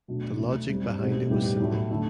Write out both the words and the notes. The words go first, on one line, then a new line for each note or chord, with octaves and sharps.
The logic behind it was simple.
B2 F#3 A3 D4 F#4
F#3 A3 E4
G3 C4 G4
B2 A3 C4 G4
A2 G3 B3 E4 G4
A2 F#3 A3
D3 A3 E4